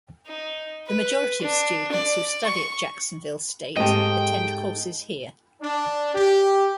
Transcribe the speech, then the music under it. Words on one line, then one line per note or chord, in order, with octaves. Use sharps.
The majority of students who study at Jacksonville State attend courses here.
D#4
B4
D4
D5
C#6
G#2 C4 G4 A4 D#5 G5
D4
G4